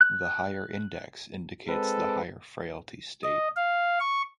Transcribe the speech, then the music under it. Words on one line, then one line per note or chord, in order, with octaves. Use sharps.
The higher index indicates the higher frailty state.
F#6
G#3 C4 A4 B4
D#5
F5
C#6